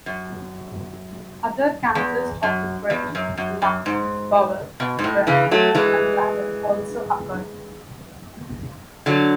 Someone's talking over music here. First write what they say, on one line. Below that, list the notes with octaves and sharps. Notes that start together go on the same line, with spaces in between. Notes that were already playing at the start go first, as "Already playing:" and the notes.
Other cancers of the brain, lung, bowel, breast, and bladder also occurred.
F#2
E2
F#2
E2
F#2
F#2
F#2
G#2
B2
G#2
A2
C#3 E3
F#3 A3
E3 G#3
D3 F#3